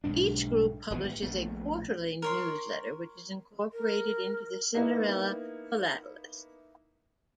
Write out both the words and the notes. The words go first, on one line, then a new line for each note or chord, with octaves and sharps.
Each group publishes a quarterly newsletter which is incorporated into "The Cinderella Philatelist".
B1 G#2 D#3 D4
G#1 E3 B3
A#1 A3 B3
A#4 C#5 C6
A#4
A#3 B3 D#4 E4